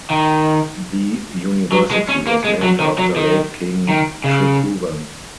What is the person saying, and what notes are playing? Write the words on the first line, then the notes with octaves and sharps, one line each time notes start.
The university was named after late King Tribhuvan.
D#3
F#3
G#3
C#4
A#3
G#3
F#3
D#3
F#3
D#3
D#3
C#3